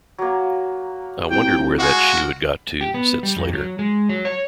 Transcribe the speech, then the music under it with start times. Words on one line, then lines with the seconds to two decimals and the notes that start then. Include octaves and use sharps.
"I wondered where that shoe had got to," said Slater.
0.18 F#3 A#3
1.31 C2 G5
1.79 G#3 F#4 F5 G#5
2.81 G4
2.94 B3
3.23 G3
3.36 F2
3.54 F#3
3.79 G#3
4.09 F#3
4.25 C#5